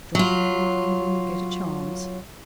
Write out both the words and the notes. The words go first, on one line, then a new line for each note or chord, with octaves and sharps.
"Drop me a line when you get a chance."
F#3 F4